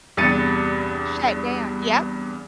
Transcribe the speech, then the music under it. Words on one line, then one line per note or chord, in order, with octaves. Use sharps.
shut down Yep.
E2 G2 C3 A6 C#7 D#7